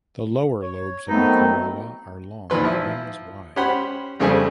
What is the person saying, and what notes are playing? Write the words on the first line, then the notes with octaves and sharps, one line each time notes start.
The lower lobes of the corolla are long with wings wide.
C#5
D#3 F#3 A3 B3 C4 D#4
A#2 D#3 E3 B4 C6
F3 E4
C#4 G4 C5 F#5 B5 C6
F2 C#3 G3 A3 C4 G#5